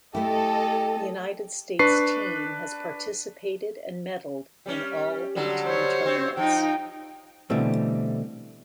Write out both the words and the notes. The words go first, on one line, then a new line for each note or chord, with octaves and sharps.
The United States team has participated and medaled in all eighteen tournaments.
A3 E4 G4 A4 D#5
D4 B4 C#6 C7
G3 C#4
D3 F#3 G3
C5 C#5
C4
F3 D#4 G5
B2 D3 E3 G3 A3 C4